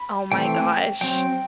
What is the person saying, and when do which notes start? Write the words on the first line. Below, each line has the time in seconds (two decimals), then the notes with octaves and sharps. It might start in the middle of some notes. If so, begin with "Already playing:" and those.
Oh my gosh.
Already playing: B5
0.32 E3 A3 C4 G5
1.01 F#3 C4 G5